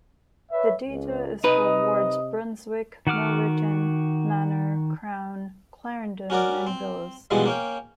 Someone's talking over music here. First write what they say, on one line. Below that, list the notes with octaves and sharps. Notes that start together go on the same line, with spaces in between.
The data is for wards "Brunswick", "Milverton", "Manor", "Crown", "Clarendon" and "Willes".
B4 C#5 E5
C#2
C3 D#4 B4 D#5
D#3 F#4 F#5 D6 F6
C#4 F#4 A#4 D5
C4
G2 B2 E3 F3 G3 G#3
A#3 C#4 G5